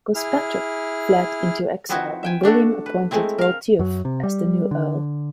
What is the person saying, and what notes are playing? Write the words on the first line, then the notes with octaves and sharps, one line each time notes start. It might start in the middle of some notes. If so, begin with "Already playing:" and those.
Gospatric fled into exile and William appointed Waltheof as the new earl.
E4 G#4 F6
F3 B3 C4 D#4 E4 F#4
E5 G5 G#5
A3 D4 F#4 A4
B4
G#3 A3 C4 E4
A#4 F5
F#2 F#3
C3
G3
D3